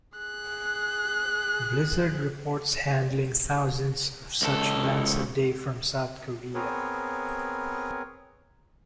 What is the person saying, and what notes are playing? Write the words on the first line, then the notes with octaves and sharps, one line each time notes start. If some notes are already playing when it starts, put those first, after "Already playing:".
Blizzard reports handling thousands of such bans a day from South Korea.
G#4 F#6
C#2 A4
B3 C4 G#4 A#4 B4 C#5